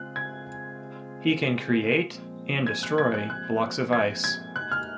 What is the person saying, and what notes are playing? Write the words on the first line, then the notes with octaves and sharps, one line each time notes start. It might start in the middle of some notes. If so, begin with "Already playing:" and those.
He can create and destroy blocks of ice.
Already playing: C#3 G#3 C4 F4 G#4 F#6
G#6
A#2 F3 G#3 C4
G#6
F#6
G#6
F#6
F#6
G#6
G#6
A#2 G#3 D#4 F#4 F#6
F6